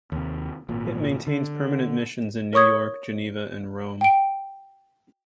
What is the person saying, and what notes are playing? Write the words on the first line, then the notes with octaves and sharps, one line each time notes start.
It maintains permanent missions in New York, Geneva, and Rome.
D#2 C3
G#1 A#2
D3
A#4 C#5 C#6 D#6 G#6
G5 D7